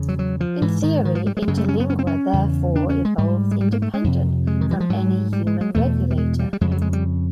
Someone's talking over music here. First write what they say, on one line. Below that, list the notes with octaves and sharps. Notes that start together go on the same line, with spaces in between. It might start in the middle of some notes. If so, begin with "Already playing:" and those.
In theory, Interlingua therefore evolves independent from any human regulator.
Already playing: E2 C#3
F#3
F#3
F3
G#2 E3
D#3
D#3
F3
G3
G#3
G3
F#2 C#3 G#3
A3
C#4
B3
C#4
C4
C#4
E2 C#3
D4
C#4
G#3
G#2 G3
G#3
G3
A#3
A3
G#3
F2 C3
G#3
D#3
E3
F3
G#2 F#3
G3
G#3
G#3
E2 B2 A3
G3
G#3
G3
G3
F2 C#3 G#3
F#3
G#3
G3